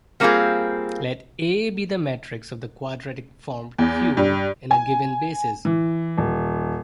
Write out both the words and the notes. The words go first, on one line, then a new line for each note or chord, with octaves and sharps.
Let "A" be the matrix of the quadratic form "q" in a given basis.
G3 A#3 C4 E4 F4 G#4
E2
G2
G#5
E3
D#1